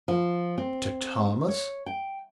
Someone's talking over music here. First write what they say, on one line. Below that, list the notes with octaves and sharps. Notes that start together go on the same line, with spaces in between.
To Thomas!
F3
C4
C#5
G5